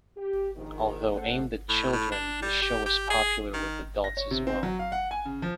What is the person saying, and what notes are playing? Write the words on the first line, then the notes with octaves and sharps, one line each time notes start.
Although aimed at children, this show was popular with adults as well.
G4
A#1 G#2 D#3
A3 C#4 G#4 A4 C5 F#5
A2
A2
D4
G3
G4
G4
G#4
D#3
A#6
C#5
C3
C4
F#3
F5
F#5
G#5
C#3
F3